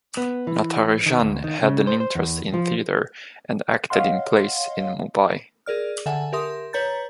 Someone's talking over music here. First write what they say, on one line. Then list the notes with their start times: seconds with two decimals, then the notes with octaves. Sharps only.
Natarajan had an interest in theatre and acted in plays in Mumbai.
0.17 B3
0.47 E3
1.06 D#3
1.20 D2
1.44 D#3
1.63 C#3
1.87 C5
2.00 C5
2.15 E2
2.54 F3
3.90 C#5 D#5 F5 F#5 C6
5.66 G#4 A#4 D5 F6
6.06 D3 A4 E5 F#5 G#5
6.33 G4 A#4 E5 C6 D#6
6.73 B4 C#5 A#5 G6 A6